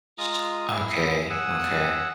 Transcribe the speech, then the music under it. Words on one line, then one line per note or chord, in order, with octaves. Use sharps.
Sh Okay, okay.
G#3 F4 A#5 D#6
E4 G#4
F#5 G#5 D#6 E6